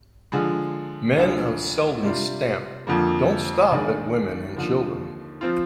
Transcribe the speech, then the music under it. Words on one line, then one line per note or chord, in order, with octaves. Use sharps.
Men of Selden's stamp don't stop at women and children.
D3 F3 G#3
D2 D3 F3 G#3
C3 G3 D4 F4
F2 D3 F3 A#3
D#2 D#3 G#3 D4
D#2 D3 F3
F3 C4 F4